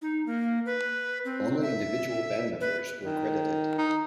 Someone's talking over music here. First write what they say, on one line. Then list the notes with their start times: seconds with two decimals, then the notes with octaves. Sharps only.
Only individual band members were credited.
0.02 D#4
0.26 A#3
0.66 B4
1.25 C4
1.62 E5
2.61 B4
3.06 D#3
3.78 D#4